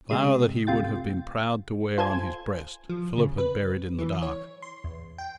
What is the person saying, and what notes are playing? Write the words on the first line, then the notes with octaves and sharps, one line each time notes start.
The flower that he would have been proud to wear on his breast Philip had buried in the dark.
C3 G#3 D#7
D2 C3 F4 G5 A6
F4 A4 C5 G#5 G#6
F3
C#3
B4
E3
C#5
C6
E2
G5